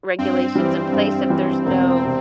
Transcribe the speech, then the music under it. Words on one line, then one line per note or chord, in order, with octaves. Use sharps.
regulations in place if there's no,
G2 C4
E3 G3
G2
E3 G3
E1 C4
C3